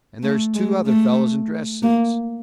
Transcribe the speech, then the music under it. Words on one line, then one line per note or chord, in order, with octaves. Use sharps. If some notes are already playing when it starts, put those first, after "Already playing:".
And there's two other fellows in dress suits.
A3
G#3
A3
A#3